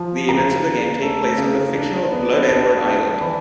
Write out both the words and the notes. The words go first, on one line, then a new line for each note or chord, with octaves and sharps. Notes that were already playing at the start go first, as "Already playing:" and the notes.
The events of the game take place on the fictional Blood Edward Island.
Already playing: F3
C#3 A#5
C#3
A3
C#3
D4
B3
D4
D4
E3 B5